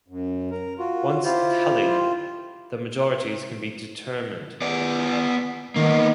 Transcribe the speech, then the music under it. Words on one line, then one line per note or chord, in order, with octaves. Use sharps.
Once tallied the majorities can be determined.
F#2
A#4
F4 F#4
E4 F4 G4 C5
B3 D5
D#3 A#3 B3